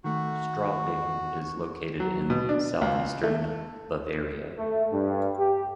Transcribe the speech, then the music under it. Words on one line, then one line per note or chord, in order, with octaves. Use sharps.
Straubing is located in southeastern Bavaria.
D#3 A3 F#4
F#3
B2
D4
C#2
A3
A3
G2
G4